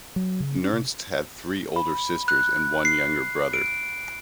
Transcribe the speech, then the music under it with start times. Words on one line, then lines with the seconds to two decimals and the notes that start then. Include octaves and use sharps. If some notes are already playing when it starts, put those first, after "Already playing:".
Nernst had three older sisters and one younger brother.
0.16 F#3
0.40 C#3
0.56 C#4
0.73 C3
1.76 B5
2.28 F#6
2.85 C7
3.53 D7